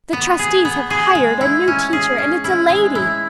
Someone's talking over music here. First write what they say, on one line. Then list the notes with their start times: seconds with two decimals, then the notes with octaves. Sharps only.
The trustees have hired a new teacher and it's a lady.
0.13 B3
0.39 G#4
0.65 B3
0.90 G#4
1.15 G#3
1.41 E4
1.68 C#4
1.93 G#4
2.18 C#4
2.44 E4
2.70 G#3
2.95 E4